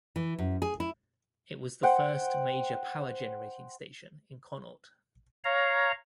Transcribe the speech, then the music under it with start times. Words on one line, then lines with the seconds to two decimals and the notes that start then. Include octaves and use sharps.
It was the first major power generating station in Connaught.
0.16 E3
0.39 F#2
0.62 G#4
0.80 E4
1.83 C5 F#5 G5
5.44 C#5 F5 A#5